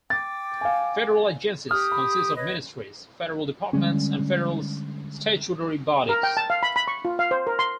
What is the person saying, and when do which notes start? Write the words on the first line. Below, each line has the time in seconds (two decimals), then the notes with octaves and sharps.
Federal agencies consist of Ministries, Federal Departments and Federal Statutory Bodies.
0.10 G5 D6 A6
0.61 F5 G#5
1.71 G4 D#6 F6
1.92 B5
2.36 B4 C#5 D#5
3.73 D3 G3 G#3 C#4
6.09 A#4
6.23 G5
6.37 A5
6.50 F5
6.63 B5
6.76 B5
6.88 C#6
7.05 F4
7.19 F5
7.31 C5
7.47 A#4
7.59 C6